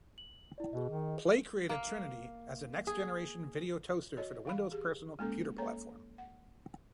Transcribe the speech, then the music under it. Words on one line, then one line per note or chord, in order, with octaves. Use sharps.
Play created Trinity as the next-generation Video Toaster for the Windows personal computer platform.
F#7
E4 D5
B2 G#4 D#5
D#3
A#3
G#4
F#4 C#5 D#5
E3 F5 B5
G4 G#4
G#3 A#3 C#4 A4
A#3 A4 C#5 A#5
F#5